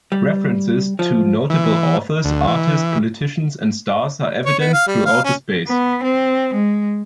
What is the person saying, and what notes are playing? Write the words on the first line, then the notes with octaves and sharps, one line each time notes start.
References to notable authors, artists, politicians and stars are evident throughout the space.
G3
F3
E3
D2
E3
C#5
B3
F5
G3
F5
C#4
B3
C4
G#3